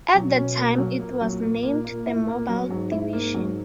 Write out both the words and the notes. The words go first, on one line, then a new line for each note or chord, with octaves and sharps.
At the time, it was named The Mobile Division.
B2 F#3
C#4
A#3
F#3
A#2 A#3
F#3
A#3
A#3
A#3
E4
A#3
F#3
G#2 F#3
E4
A#3
F#3